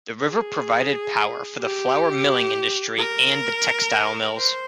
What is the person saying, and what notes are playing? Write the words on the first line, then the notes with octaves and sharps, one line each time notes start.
The river provided power for the flour milling industry and the textile mills.
G#4
G4
A#4
C5